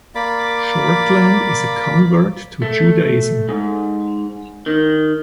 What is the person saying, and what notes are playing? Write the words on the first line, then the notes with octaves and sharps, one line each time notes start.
Shortland is a convert to Judaism.
A#3 D5 B5 D6
A3
G#2
D#3